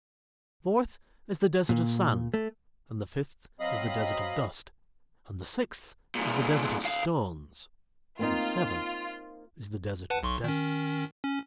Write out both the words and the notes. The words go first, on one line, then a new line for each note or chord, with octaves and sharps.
The fourth is the desert of sand, and the fifth is the desert of dust, and the sixth is the desert of stones, and the seventh is the Desert of Deserts.
A#2
A3
F#3 C4 D#5 F5 B5 D#6
E2 A#2
D2 F5
A#3 C4 D#4 F4
B4 F#5 A5
B1 C6 C#6
D#3 C#4
C#4